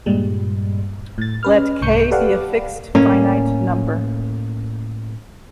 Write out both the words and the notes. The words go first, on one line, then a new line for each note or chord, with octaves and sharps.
Let "k" be a fixed finite number.
G2 A#2 G3 G#3
A2 A6
C#4 B4 F6
C2 G#2 C#6 G6 C#7
G4 A4 B4 D5 F5 F#5
A2 A#3 C#4